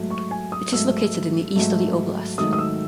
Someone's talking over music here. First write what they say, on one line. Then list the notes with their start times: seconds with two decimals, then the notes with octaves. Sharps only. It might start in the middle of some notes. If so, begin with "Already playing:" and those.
It is located in the east of the oblast.
Already playing: G#2 F#3 A3
0.11 C#6
0.31 G#5
0.52 D#6
0.73 G#2 F#3 A3 E6
1.56 G#2 F#3 A3
2.38 G#2 D#3 F#3 A3 D#6
2.53 D#6
2.58 E6